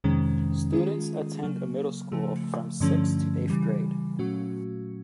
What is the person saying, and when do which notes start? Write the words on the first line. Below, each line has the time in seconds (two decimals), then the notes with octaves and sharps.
Students attend a middle school from sixth to eighth grade.
0.04 F2 C3 D#3 G#3 C#4
0.73 D#3 G#3 C#4 F4 G#4
1.43 C#3 F#3 A#3
2.12 C#3 F3 A3
2.80 G2 D3 F3 A3 C#4
3.50 C#3 E3 G3
4.19 A#2 F#3 A3 C#4 F#4